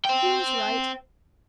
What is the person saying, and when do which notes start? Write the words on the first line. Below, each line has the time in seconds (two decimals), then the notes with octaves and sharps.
He was right.
0.05 C5 G5